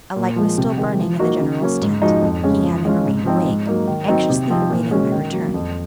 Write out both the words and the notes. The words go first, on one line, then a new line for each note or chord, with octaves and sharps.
A light was still burning in the General's tent, he having remained awake, anxiously awaiting my return.
A#2
F3 G#3
C3
D#3 G#3
F3
A#3 D#4 F#4
C#3
F#3 A#3 C#4
G#2
F3 G#3 D#4 F#4
F2
C#3 G#3 C#4
F3
G#3 C#4 F4
G#2
F3 C4 D#4
G#2
F#3 A#3 D#4
D#3
F#3 C4 D#4
C3
F3 C4 D#4
A#2
G#3 C#4 F#4
D#3
F#3 A#3
F2